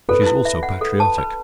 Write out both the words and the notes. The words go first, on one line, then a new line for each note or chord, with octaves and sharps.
She is also patriotic.
A4 B4
E4
E5
F#5
A4
A5
B4